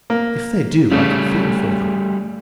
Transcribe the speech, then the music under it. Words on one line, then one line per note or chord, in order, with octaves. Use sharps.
If they do, I can feel for them.
A#3
C#3 G3 A3